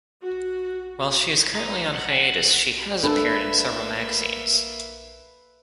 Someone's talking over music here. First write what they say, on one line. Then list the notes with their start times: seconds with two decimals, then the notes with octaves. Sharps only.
While she is currently on hiatus, she has appeared in several magazines.
0.23 F#4
1.54 D#4
1.94 F#5
3.03 A#3 D4 A4 B4 E5 A5 B5